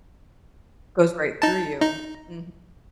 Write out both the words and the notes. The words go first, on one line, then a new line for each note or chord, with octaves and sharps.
Goes right through you, mhm.
D#4 A5
D#4